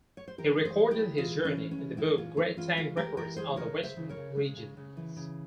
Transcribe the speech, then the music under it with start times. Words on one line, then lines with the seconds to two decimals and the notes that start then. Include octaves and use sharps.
He recorded his journey in the book "Great Tang Records on the Western Regions".
0.17 C#5
0.28 C5
0.38 E3 G4 A#4
0.58 G#3
0.65 G#4 C5
0.79 G#3
0.91 E4 G4
0.98 G#3
1.17 E3 F4 G#4
1.38 E3
1.45 C#4
1.57 G#3
1.71 C#4
1.78 E3
1.97 G#3 C4 E4
2.17 G#3 C#4 F4
2.37 G#3 C4 E4
2.57 E3 C#4 F4
2.77 G#3 C#4 F4
2.97 G#3 G4 A#4
3.17 E3 G4 A#4
3.36 G#3 G#4 C5
3.56 C#3 A#4 C#5
3.77 C#3
3.83 C5 E5
3.96 C#3
4.09 A#4 C#5
4.17 C#3
4.36 G#3
4.57 C#3
4.77 C#3
4.97 E3
5.16 C#3